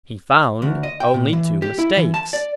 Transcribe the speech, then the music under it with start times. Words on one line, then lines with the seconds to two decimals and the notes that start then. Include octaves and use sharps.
He found only two mistakes.
0.62 D2
0.83 D#5
1.00 G5
1.14 A#2
1.33 E3
1.62 G4
1.79 E4
1.97 E3
2.14 A5
2.33 D5